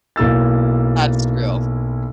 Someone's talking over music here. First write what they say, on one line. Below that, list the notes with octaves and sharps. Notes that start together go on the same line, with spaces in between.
That's true.
B1 A#3 E4 E6 A6